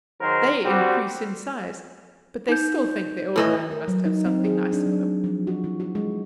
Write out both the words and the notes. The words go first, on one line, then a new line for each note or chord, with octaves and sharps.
They increase in size, but they still think the old man must have something nice for them.
D#3 F#3 G#4 A#4 C5
G3 C4 F#4
D#4 G6
A2 E3 D#5
A#4
F#3
D#4
C4
G#4
D4
F#3
F3
F#4
E3
F#4
G#3